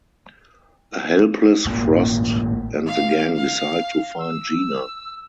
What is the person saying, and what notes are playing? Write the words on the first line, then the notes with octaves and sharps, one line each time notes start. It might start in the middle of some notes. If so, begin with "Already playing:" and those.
A helpless Frost and the gang decide to find Gina.
G#1 A2 C#3 A#3
F5
F5
E6